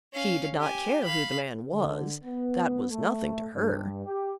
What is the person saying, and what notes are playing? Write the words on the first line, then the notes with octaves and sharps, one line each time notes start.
She did not care who the man was; that was nothing to her.
C#4 F5
G4 G#5
F5 B5
D3
B3
A3
G2
G4